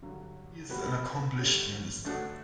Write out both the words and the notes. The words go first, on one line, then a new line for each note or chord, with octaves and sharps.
He is an accomplished minister.
G2 D3 F#3
G3 B3 F#4 B4
D3 G3 C#4
D3 A3 D4 F#4